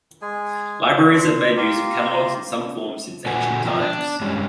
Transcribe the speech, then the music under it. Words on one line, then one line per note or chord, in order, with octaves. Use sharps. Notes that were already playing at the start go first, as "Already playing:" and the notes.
Libraries have made use of catalogs in some form since ancient times.
G#3 G#4 G#5
D4 C6
F4 G4 F5 A#5
A#2 F#4 A4 F#5 G#5
B2 F3 F4 G5 A#5
D4
G2 G3 G#3 C#4